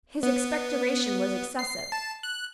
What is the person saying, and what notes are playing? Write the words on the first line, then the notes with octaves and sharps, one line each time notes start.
His expectoration was excessive.
B3
C7
A5
F#6